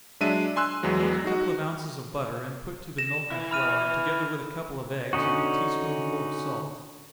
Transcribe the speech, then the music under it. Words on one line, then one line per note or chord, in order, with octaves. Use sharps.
Melt a couple of ounces of butter, and put to the milk and flour, together with a couple of eggs, and a tea-spoonful of salt.
F#3 G#3 D4 E5 D#7
G#5 C6 E6 F#6
E2 E3 F#3 G#3
D#4 F#4
A#6 E7
E3 E4
B5 F6 D#7
D3 C#4 D#4 F#4